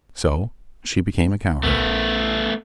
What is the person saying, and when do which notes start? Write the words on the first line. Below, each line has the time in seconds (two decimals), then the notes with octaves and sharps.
So she became a cowherd.
1.63 A#1 A3 B3